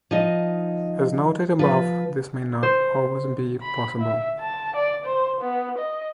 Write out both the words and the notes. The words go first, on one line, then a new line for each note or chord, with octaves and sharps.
As noted above, this may not always be possible.
F3 D#4 D#5
F3 B4
C5
B5
E5
A5
D5
C5
B3
D#5